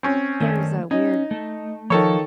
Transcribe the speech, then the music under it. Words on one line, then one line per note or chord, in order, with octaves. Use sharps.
there's a weird
C4 C#4
D#3 A3
C#4 D#4
A3
D#3 F3 A4 C#5